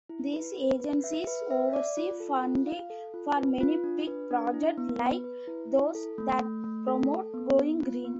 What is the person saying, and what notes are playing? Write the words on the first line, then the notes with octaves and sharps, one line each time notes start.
These agencies oversee funding for many big projects like those that promote going green.
E4
B4
B4
B4
E5
B4
E5
D5
F4
A4
F4
F5
A4
F4
B4
F4
D4
B4
D4
E4
B3
B4
B4
E4
E4
A4
A3
A3
A3
A4
A4
B3
B3
F4
B3